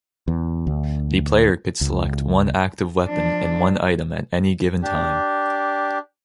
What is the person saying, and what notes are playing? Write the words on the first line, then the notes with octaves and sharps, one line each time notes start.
The player could select one active weapon and one item at any given time.
E2
D2
C#2
F3 D4
D4 G4